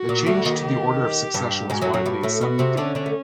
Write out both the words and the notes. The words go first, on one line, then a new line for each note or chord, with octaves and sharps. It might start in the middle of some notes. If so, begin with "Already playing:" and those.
The change to the order of succession was widely accepted.
Already playing: F#4
A#2
D2 D3
D#2 D#3
G4
G2 G3
G#2 G#3 F#4
F#2 F#3
F#2 F#3
G2 G3
A2 A3
B2 B3 F#4
C3 C4
D3 C#4 D4
D3 D4
A3